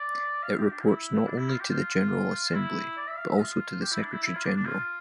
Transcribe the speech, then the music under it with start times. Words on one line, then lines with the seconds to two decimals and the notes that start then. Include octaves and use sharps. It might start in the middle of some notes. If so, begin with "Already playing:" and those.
It reports not only to the General Assembly, but also to the Secretary-General.
Already playing: D5
0.43 F5
0.58 G4
0.71 D4
0.81 F4
0.85 E4
1.27 D4
1.38 E4
1.49 F4
1.60 G4
1.69 F4
2.54 E4
2.97 D5
3.08 E5
3.17 F5
3.29 E5
3.39 F4
3.81 G4
3.92 E4
4.02 D4
4.13 E4
4.24 E4
4.35 F4
4.45 D4
4.56 D4
4.65 F4